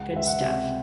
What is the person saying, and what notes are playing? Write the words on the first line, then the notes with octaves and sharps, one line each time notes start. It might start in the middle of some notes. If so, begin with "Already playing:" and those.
Good stuff.
Already playing: C#2 F#5
C#2 E5
F#5
C3